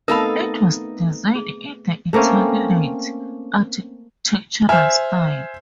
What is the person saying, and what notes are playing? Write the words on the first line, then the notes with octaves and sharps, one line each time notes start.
It was designed in the Italianate architectural style.
A3 B3 C4 D#4 A4 A#4 F5 B5
G#4
A3 A#3 C4 C#4
C5 E5 G#5 F6